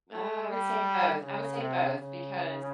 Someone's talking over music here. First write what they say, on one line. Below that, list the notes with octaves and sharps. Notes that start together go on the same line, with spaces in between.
I would say both I would say both, because,
A3
G3
C#3
C3
C#3